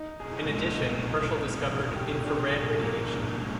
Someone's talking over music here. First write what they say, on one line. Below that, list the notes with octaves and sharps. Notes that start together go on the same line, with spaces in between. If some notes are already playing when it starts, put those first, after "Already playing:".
In addition, Herschel discovered infrared radiation.
Already playing: D#4
G#4
G#3
D#4
G#3
D4
D4
G4
D4
G#4
A#3
D4
G#3